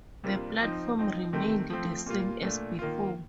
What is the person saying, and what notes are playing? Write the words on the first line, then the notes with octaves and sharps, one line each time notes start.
The platform remained the same as before.
C3 G3 A#3 D4 F4
F3 C4 D#4
F3 C4 D#4
C3 D#3 A3 C4
F3 A3 C4
A#2 G3 A#3 F4
A#2 A3 D4
D#3 A#3 F4